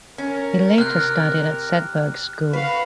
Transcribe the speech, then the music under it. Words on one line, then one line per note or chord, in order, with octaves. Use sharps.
He later studied at Sedbergh School.
C#4 A#4
C3 F6 F#6
F#4 B4 F5